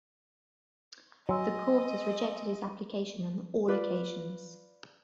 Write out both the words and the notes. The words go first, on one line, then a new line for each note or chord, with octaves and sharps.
The court has rejected his application on all occasions.
F#3 D#5 G#5 C6 E6
F4 B4 D5